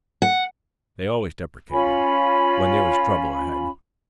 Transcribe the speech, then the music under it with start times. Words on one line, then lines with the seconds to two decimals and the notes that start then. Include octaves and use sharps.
They always deprecated, when there was trouble ahead.
0.22 F#5
1.70 C#4 F4 G#5 B5